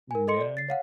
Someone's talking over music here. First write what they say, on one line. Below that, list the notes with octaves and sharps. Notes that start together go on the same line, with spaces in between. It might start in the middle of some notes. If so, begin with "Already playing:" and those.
Mm, yeah.
A#4 G#5
A4 D#5 C6 C#7
D5
A6 C7
C#5 F5 F#5